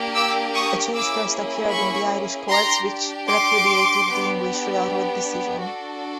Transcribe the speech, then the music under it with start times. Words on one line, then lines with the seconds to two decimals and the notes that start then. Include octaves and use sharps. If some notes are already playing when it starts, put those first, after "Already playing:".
A change first occurred in the Irish courts which repudiated the English railroad decision.
Already playing: A#3 D4 G4
0.15 D6 E6
0.54 C#6 D#6
0.93 A#3 C#4 E4 G#4 D6 E6
1.71 B5 C#6
2.49 D4 G4 A#5 C6
3.28 C6 D6
4.05 B3 D4 G4
5.62 D4 F#4 A4